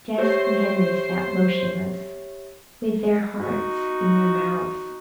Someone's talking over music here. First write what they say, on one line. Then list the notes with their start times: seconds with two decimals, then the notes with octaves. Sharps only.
Jess and Henry sat motionless, with their hearts in their mouths.
0.18 G4 C5 C#5 E5 C7
3.37 D#4 F#4